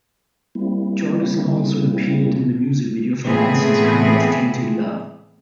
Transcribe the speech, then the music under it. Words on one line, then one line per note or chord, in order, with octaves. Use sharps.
Jordison also appeared in the music video for Manson's cover of Tainted Love.
G3 A#3 C4 E4
A2 E3 G#3 B3 C4 G#4